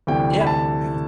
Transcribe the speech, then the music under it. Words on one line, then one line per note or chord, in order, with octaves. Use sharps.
Yeah. Yeah.
D2 C3 E3 G3 G5
B5
A5